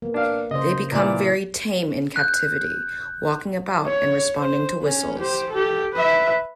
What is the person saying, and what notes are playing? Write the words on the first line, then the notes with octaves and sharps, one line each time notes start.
They become very tame in captivity, walking about and responding to whistles.
A#3 B3
D4 F5
C#3 C5 D#5
A#2 E3 D5
F#6 G6
C#5
C5
C#4
G4 C5
G4 A4
B4 E5